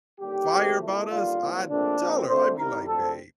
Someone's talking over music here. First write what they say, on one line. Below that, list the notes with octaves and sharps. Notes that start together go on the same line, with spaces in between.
fire about us, I'd tell her, I'd be like, "Babe,
D#2 D3 G3 G4
D2 C3 D#3 A3 C4
C2 A#2 A3
D#2 D3 G3 F4
C2 A#2 F3
A#1 A#2 A3 C4 D4
A#1 A#2 F3 C4
D2 D3 A3 C4 C5
C2 C3 D#3 G3 A#4
D2 D3 F3 C4 A4